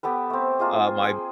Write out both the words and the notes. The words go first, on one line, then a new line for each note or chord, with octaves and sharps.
Uh, my
B3 G4 A4 B4
A3 C4
A#3 F4 G#4 D#5
G#4 G5